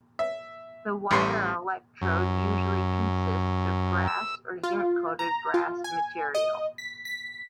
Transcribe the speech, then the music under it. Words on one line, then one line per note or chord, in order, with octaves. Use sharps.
The wire electrode usually consists of brass or zinc-coated brass material.
E5
A1 G3 C6 C#6
F#2
E6
F4
A#5
F4
G#5
D#5
B6
B6